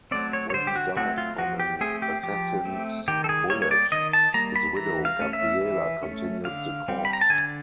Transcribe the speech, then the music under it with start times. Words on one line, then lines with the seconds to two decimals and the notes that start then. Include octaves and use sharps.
When he died from an assassin's bullet, his widow Gabriela continued the cause.
0.11 F#3 A3 C4 D5
0.33 C#5
0.50 C#5
0.54 D3 C5
0.67 G4
0.76 F#4
0.96 F#3 A3 C4 F#4
1.18 F4
1.38 F3 F#4
1.59 G4
1.81 A3 C4 G#4
2.02 G4
2.23 F3 G4
2.65 A3 C4
3.08 D#3 G4
3.24 A4
3.29 G#4
3.50 G3 A#3 C#5
3.62 C#5
3.71 D5
3.92 D#3 D#5
4.13 A5
4.34 G3 A#3 A#5
4.56 B5
4.76 E3 A#5
5.05 F5
5.19 A3 C#4
5.33 E5
5.61 E3
6.03 A3 C#4
6.45 D3 F5
6.88 G3 C4
7.05 B5
7.13 A#5
7.21 A5
7.30 D3 G#5